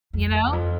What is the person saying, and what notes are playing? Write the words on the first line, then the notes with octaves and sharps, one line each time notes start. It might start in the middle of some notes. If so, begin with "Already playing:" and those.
you know?
F2
E2
F2